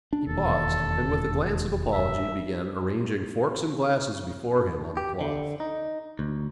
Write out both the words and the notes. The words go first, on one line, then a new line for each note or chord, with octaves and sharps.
He paused, and with a glance of apology began arranging forks and glasses before him on the cloth.
D4
E1 D#2 A4
E5
G4
D3
D#4
D2